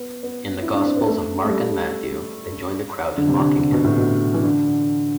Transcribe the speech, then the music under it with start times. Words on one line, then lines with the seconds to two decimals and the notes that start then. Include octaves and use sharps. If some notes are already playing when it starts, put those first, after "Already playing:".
In the Gospels of Mark and Matthew, they join the crowd in mocking him.
Already playing: B3
0.23 B3
0.62 E4
0.74 D4
0.85 C4
0.96 B3
1.08 A3
1.44 A3
1.49 G3
3.18 D3
3.28 C3
3.40 D3
3.59 C3
3.72 B2
3.84 A2
3.97 B2
4.34 E3
4.44 D3